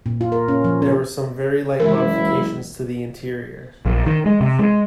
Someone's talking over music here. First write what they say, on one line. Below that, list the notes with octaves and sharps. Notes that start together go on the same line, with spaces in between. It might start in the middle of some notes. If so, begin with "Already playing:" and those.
There were some very light modifications to the interior.
A#2
F4
A#4
C#4
F3
C#4
F#1 E3 G#3 E4 A#4
A#1
D#3
G#3
C3
G#3